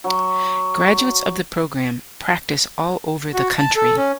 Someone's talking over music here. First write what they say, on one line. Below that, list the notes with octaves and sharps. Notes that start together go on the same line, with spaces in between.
Graduates of the program practice all over the country.
F#3
F#4
A5
A4
C#4